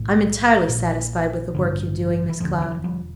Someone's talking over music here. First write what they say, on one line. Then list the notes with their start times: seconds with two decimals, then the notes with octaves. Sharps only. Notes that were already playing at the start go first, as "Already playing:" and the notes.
I'm entirely satisfied with the work you're doing, Miss Cloud.
Already playing: B1 A2
0.69 A#1 A#2
1.55 A1 G2 D3
2.29 E3
2.40 E1 D2 D3 D#3 F3
2.62 E3 F#3
2.84 F3 G3